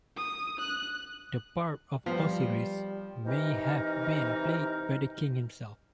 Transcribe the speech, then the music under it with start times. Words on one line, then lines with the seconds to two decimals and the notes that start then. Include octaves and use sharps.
The part of Osiris may have been played by the king himself.
0.16 D#6
0.59 F#6
2.06 F3 G3 B3 F4
3.26 C3 E3 D#4 A#4 D#5